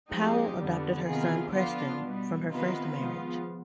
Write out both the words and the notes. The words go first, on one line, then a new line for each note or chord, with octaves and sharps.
Powell adopted her son Preston, from her first marriage.
F3 G#3 C4 D#4 G4
F2 D3 G3 B3
C3 D#3 B3 F4 G#4
D3 F3 B3 D4 F4
B2 G3 B3
C3 D#3 B3 F4 B4
F3 G#3 B3 F4